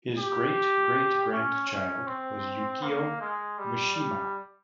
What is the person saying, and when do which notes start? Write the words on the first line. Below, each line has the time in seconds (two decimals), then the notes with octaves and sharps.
His great-great-grandchild was Yukio Mishima.
0.18 G4
1.32 C#4
1.69 C#4
2.07 C4
2.83 A#3
3.21 G#3
3.59 G3
3.96 G3